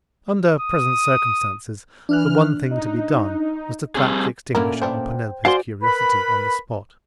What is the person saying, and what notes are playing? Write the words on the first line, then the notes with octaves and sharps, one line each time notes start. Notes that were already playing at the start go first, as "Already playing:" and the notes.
Under present circumstances, the one thing to be done was to clap the extinguisher upon Penelope's curiosity on the spot.
D#6
E3 D4 F6 F#6
D#4
G3 C4 G#4
A#2 D3 A3 A#3 C#4 E4 A#4
B3 D4 C5 G5
F#3 F#4 G#4 C5 D5 F5 F#5 C6
A#4 B4 B5